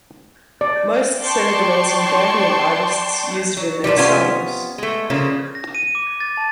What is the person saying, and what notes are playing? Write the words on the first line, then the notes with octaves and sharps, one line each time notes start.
Most Senegalese and Gambian artists use it in their songs.
D5
D5 G5 A5 C6 C#6
F#3
A2 C3 F3 G3
C3 B3 C#4 F4 C5 G#5
G#3 A3
C#3 F3 A#3
A#6
D#7
D6
A6
A5